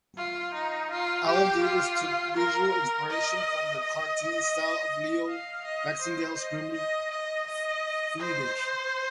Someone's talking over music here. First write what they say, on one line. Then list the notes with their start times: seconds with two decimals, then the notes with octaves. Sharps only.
Alan Davis took visual inspiration from the cartoon style of Leo Baxendale's "Grimly Feendish".
0.17 F4
0.54 D#4
0.91 F4
1.27 G4
1.63 F4
2.37 A#4
3.10 D#5
3.82 D#5
5.29 F5
5.65 D#5
6.02 C5
6.38 D#5
6.74 D#5
7.11 D#5
7.47 D#5
8.20 C5